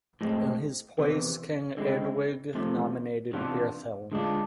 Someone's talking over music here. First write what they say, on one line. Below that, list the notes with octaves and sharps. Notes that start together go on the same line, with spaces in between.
In his place King Eadwig nominated Byrhthelm.
A2 G#3 C4
E2 C3 E3
D3 G#3 C4 E4
E2 C3 F3 A3
C3 E3 B3 D4 F4
D3 G#3 D4 F4